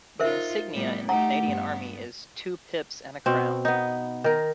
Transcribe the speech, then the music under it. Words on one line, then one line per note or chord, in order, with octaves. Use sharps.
The insignia in the Canadian Army is two pips and a crown.
D#4 F4 A#4 C5 E5
A2 G3 B3
A3 D#4 G4 F#5 A#5
G2 B3
B2 C4
B3 D#4
D#3 A#4